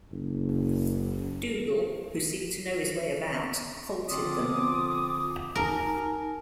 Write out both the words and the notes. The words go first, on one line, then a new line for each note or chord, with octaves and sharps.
Dougal, who seemed to know his way about, halted them.
F#1
D3 F3 C4 F4 D6 D#6
D#4 A#4 G#5 A5